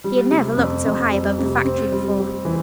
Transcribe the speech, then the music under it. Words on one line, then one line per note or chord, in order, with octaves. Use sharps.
He had never looked so high above the factory before.
G3
C3
F2
F2
G3
C3
C4
G3
G4
E3